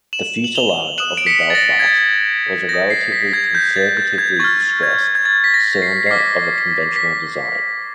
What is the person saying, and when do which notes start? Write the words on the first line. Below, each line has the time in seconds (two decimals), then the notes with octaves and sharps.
The fuselage of the Belfast was a relatively conservatively-stressed cylinder of a conventional design.
0.13 E7 F#7
0.44 F#7
0.55 F7 G7
0.98 D#6 F#6 E7 F#7
1.17 D7
1.27 B6 C#7
1.50 A6
1.55 A#6
1.80 G#6
1.84 A6
2.69 D#6 G6 A#6
2.90 C7
3.12 B6
3.33 G#6
3.55 G6
3.76 A6
3.97 G6
4.18 G#6
4.40 C#6 F6 A6
4.83 G#6
5.15 G#6
5.25 A6
5.44 B6
5.54 A#6
5.82 C7
6.07 C7
6.11 D6 F6 B6
6.96 B6